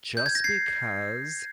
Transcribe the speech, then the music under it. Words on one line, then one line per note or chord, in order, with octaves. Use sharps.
just because
G6
G#6
A#6
G#6 C7